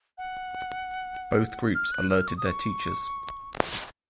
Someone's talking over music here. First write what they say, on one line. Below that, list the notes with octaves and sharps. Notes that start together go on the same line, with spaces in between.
Both groups alerted their teachers.
F#5
F6
F#6
F6
C#6
D#6
C#6